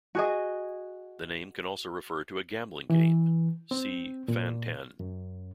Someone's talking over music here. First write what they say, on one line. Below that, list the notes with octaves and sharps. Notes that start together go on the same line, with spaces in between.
The name can also refer to a gambling game, see Fan-Tan.
F#4 G#4 D#5
E3
C4
A#2
F#2